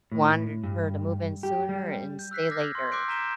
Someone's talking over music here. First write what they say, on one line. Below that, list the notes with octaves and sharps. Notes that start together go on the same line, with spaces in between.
wanted her to move in sooner and stay later.
A2
G2
G4
G3
G6
E6 F#6 B6 C7
D6 F6 F#6 G#6 A#6
C6
D6 E6 F#6 G6 C7 D7
A#5 G6 B6 D#7 E7 G7